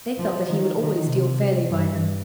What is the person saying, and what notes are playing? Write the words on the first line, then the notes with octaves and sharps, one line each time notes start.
They felt that he would always deal fairly by them.
F3
D#3
D#3
C3
G2